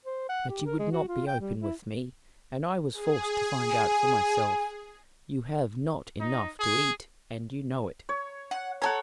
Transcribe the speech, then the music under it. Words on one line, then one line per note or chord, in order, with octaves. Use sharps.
But you would not be open with me, and I was forced to find out for myself: you have not enough to eat, and you know it.
C5
F#5
G4
A#4
G#3
F#4
F4
G5
G3
E4
G#4
G#5
D#4
G#4
C#5
F#5
A4 C#5 F#5 A5 A#5